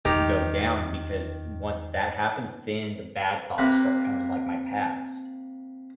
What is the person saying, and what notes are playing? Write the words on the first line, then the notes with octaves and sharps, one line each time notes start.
go down because d once that happens, then the bad thoughts start coming like my past.
E2 D#3 G4 A#5
C3 A#3 B4